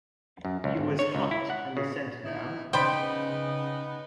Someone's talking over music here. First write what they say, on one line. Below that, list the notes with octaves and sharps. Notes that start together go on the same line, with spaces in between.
He was hot on the scent now.
F#2
C#2
G#1
C#5
C#2
E4
F#5
C#3
D#4 E4
C#3 B3 D#4 C5 D5 G5 B5